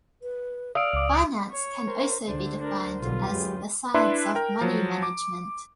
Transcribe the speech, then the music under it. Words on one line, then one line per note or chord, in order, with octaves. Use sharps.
Finance can also be defined as the science of money management.
B4
D5 F5 D#6 E6 D7
C#2 D6
C#5
A#4 C5
D2 D3 D4 C5
D4 A#4
B1 D3 G3 F4 B4
F#2 G#3 G4
D4 E4 B4 E5 C6
A#4 G5
F3 F#3
D6